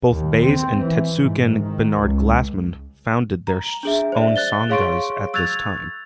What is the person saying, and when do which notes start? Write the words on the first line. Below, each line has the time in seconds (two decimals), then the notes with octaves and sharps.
Both Bays and Tetsugen Bernard Glassman founded their own sanghas at this time.
0.12 D#2
0.44 C4
0.82 E3
1.22 G#2
1.58 D#3
1.99 C#2
3.47 A#5
3.83 D4 G#4 E5
4.12 C5 D5 E5
4.36 F#6 A6 G7
4.70 G#4 C#5 F5 C6 C#6 D7
5.33 C#6 E6 F#6 G#6 A6 F7